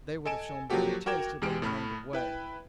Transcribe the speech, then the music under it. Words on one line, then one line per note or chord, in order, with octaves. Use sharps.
"They would have shown better taste had they remained away."
A4 D#5 G#5 D7 E7
F3 F#3 A#3 F#4 G4 A4
F#4 A#4 G5 D6 G#6 E7
E2 E3 G#3 G4 F6 D7
A2 A3 B5 F6
E4 B4 G5